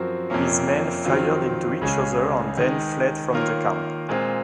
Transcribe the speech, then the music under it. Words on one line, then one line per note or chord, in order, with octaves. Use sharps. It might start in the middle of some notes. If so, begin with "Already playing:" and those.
His men fired into each other and then fled from the camp.
Already playing: F#2 F3 C4 F#4 A#4
F2 C3 F3 A#3 C#4
F2 D#3 F#3 C4 F4
C#2 C#3 G#3 C#4 G#4
D#3 G#3 D#4
D#3 A#3 F4 A#4 C#5
A#2 G#3 C4 F4